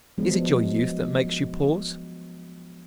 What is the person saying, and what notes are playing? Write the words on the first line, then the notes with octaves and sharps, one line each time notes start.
Is it your youth that makes you pause?
F3 F#3 G#3 B3 D4